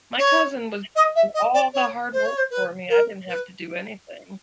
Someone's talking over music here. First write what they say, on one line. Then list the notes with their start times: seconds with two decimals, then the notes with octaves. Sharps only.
my cousin was doing all the hard work for me, I didn't have to do anything.
0.18 C#5
0.95 D#5
1.15 E5
1.34 D#5
1.53 D5
1.73 C#5
2.12 C5
2.24 C#5
2.37 C5
2.50 B4
2.89 A#4
3.28 B4